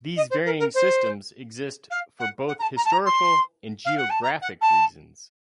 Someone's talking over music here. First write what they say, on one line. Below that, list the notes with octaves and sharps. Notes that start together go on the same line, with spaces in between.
These varying systems exist for both historical and geographic reasons.
D#5
C5
A#4
A#4
C5
F5
F#5
F#5
A#5
A5
A#5
A5
A#5
C6
F5
F#5
A5
A#5
F#5
A5